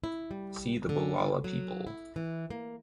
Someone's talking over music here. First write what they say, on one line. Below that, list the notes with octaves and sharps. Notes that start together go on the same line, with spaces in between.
See the Bulala people.
E4
G3
D3
F#3
E4
E3
A#3